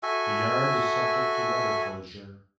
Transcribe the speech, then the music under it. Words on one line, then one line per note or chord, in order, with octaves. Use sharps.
The yard is subject to weather closure.
F#4 A4 E5 G#5